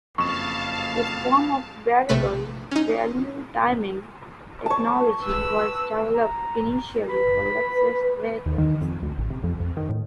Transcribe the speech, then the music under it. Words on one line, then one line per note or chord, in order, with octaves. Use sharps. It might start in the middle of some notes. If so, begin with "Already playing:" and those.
This form of variable valve timing technology was developed initially for Lexus vehicles.
F#1 F2 F5 A5 C#6 E7
A#1 C3 A3 B4 B6
C#4 D#4
C#5 A5
B4 E6
A#5
B4 B5
D#2
D#3
F2
D2
A1
C3
F2
F2
D#3
A2